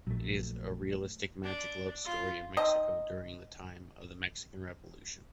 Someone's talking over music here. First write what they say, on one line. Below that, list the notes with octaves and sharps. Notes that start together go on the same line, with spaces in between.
It is a realistic magical love story in Mexico during the time of the Mexican Revolution.
A#1 F#3 A3
D4
F4
C4 D#4 D#5